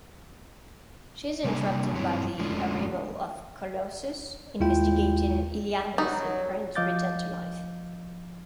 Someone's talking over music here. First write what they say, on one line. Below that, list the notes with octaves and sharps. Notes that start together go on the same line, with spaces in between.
She is interrupted by the arrival of Colossus, investigating Illyana's apparent return to life.
C3 G3 A#3 D4 C#5 G#5
G2 F#3 C4 E4 C#5
F2 F3 G#3 A3 C#4 D4
D#2 G#3 E4 F4 G5
F#3 G3 C#4 D#4 F#5
F3 D#5 F5 D6 G6 A6